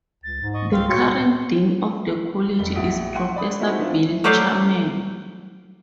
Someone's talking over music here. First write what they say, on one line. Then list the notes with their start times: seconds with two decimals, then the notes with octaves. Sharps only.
The current Dean of the College is Professor Bill Charman.
0.24 C#2 A6
0.41 G#2
0.54 D#5 C#6
0.73 C#2 C4 F5 C6
0.89 A#2 F4 F#4 C#5 G5 C#7
2.59 F1 G3 G7
2.75 A#1 E4 F#4 D#6 B6 D7
3.16 F#5 C6 C#6
3.36 D5 B5 D#6
3.60 G3 A3 C4 D#4 E4 F#4
3.79 E3 C4 D4 E4 F4 B4
4.24 F#3 A3 B4 C5 D5 F5